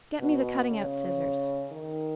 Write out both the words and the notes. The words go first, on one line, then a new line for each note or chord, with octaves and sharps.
Get me the cutting-out scissors.'
B2
C#3
D#3